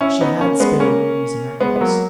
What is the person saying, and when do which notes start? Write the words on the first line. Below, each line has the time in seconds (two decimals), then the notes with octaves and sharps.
She had spare rooms in her house.
0.01 C#4 E4
0.21 B3 D#4
0.40 A#3 C#4
0.60 G#3 B3
0.80 A#3 C#4
1.60 G#3 B3
1.76 B3
1.81 F#3 A#3